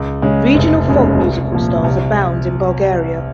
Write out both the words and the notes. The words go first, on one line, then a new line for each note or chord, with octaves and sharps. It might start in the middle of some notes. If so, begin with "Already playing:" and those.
Regional folk musical styles abound in Bulgaria.
Already playing: C#2
C#3 G#3 C#4
F1
D#2 C#3 G#3 C#4
C2
A#2 F3
C2